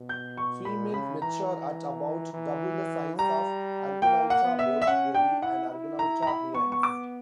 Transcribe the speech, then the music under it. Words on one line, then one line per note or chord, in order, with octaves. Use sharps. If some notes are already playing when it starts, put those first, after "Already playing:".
Females mature at about double the size of "Argonauta bottgeri" and "Argonauta hians".
Already playing: B2
G6
C#6
A#2 B5
C#3 B5
E3 A#5
E3
G3 A#5
A#3 G5
F#5
B3
E5
E5
C#4 F#5
D4 G5
E4 F#5
E4
A#5
A#5
B5
B3 C#6
C#6
D6